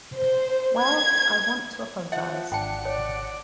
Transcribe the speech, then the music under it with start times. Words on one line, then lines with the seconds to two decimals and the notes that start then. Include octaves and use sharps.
Well, I want to apologise.
0.16 C5
0.78 G#6
2.12 F3 E5 F#5
2.52 G#1 D4 G5 A5 C#7
2.85 C#5 D5